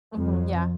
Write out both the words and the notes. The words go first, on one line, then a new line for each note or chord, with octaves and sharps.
Mhm, yeah.
F2